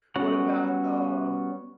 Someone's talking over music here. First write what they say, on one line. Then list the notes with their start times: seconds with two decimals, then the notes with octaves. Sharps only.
What about, uh
0.16 G3 B3 C#4 F#4 F#5